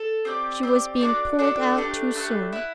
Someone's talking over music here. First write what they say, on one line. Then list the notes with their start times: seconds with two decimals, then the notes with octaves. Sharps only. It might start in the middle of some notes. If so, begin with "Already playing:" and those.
She was being pulled out too soon.
Already playing: A4
0.25 C4 G4 D5
0.63 C4 G4 D5
1.01 D4 F#4 A4 D5
1.39 D4 F#4 A4 D5
1.77 A3 D4 G4 B4
2.15 A3 D4 G4 B4
2.53 E4 B4 F#5